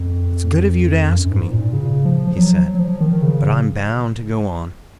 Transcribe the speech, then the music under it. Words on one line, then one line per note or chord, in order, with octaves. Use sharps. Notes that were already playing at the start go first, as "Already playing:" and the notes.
"It's good of you to ask me," he said, "but I'm bound to go on."
Already playing: F2
F#2
F#2
G#2
A#2
C#3
F3
F3
F#3
F#3
F3
D#3
D#3
C#3